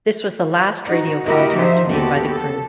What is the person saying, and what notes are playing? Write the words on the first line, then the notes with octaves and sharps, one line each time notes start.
This was the last radio contact made by the crew.
D#4 F#4
A3 E4 F#4 G4 A#4 D#5
F3 D#4 C5 E5
D#2 D3 B3 F#4 G4 A4
A4